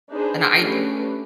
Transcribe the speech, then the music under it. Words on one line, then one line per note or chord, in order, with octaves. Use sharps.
and I'd
D4 D#4 G#4 B4 C5
A3 C#4 D4 G4 B4